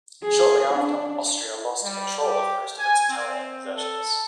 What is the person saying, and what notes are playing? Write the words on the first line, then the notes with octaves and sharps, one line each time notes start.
Shortly after, Austria lost control of most of its Italian possessions.
G#4
D4
G3
G4
G#5
C4
A4